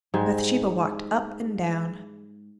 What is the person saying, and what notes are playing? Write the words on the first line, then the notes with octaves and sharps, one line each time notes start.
Bathsheba walked up and down.
G#2 G3 G#3